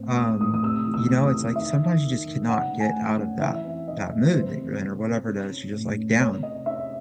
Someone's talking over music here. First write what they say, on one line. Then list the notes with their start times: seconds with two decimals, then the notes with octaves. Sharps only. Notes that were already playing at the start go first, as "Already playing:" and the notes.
um, you know, it's, like, sometimes you just cannot get out of that that mood that you're in, or whatever it is, you're just, like, down,
Already playing: A2 C4
0.17 C4 D#6
0.40 A2 D#6
0.54 D#6
0.63 C3 E6
0.86 E3
0.94 E6
1.10 C3
1.26 D#6
1.32 C3
1.56 D#3 E5
1.79 D#3
2.03 D#3
2.25 D#3
2.49 C#4 F#5
2.72 A3
2.80 G#5
2.95 A3
3.18 C#4
3.41 E3 E5
3.64 C4
3.88 E3 D#5
4.10 A3
4.34 C4 C5
4.57 C3
4.80 C3
5.04 C3
5.27 C#4
5.50 C#4
5.73 A2
5.97 C#4
6.19 C#4 C#5
6.42 C3 D#5
6.66 C#4 E5